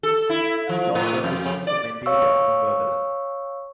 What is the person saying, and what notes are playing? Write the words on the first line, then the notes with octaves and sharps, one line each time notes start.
Doctor Alfonso Mendieta, among others.
A4
E4
F3
A2
F2
D5
C#5 F5 C#6 E6